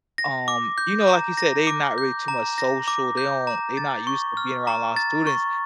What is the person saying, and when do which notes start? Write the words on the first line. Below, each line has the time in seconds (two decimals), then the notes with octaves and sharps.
um, you know, like you said, they not really too much social. They don't they not used to being around a lot of students.
0.18 A#6
0.48 D6
0.78 G6
1.07 A#5
1.37 A#6
1.67 D6
1.98 G6
2.28 A#5
2.58 A#6
2.88 D6
3.17 G6
3.47 A#5
3.77 A6
4.07 C#6
4.37 F6
4.67 A#5
4.96 A6
5.27 C#6